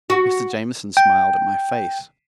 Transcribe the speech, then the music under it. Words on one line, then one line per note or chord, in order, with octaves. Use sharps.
Mr. Jamieson smiled at my face.
F#4
G5